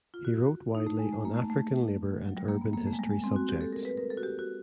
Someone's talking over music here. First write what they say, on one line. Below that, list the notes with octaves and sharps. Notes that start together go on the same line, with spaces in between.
He wrote widely on African labour and urban history subjects.
F4
F#4
D#4
A3
G#3
A3
A#3
A3
A3
F#3
G3
A#3
B3
A#3
A3
G#3
G3
G#3
C4
F#4
G4
A4
A#4
B4
A#4
A4
F#4
G4
F#4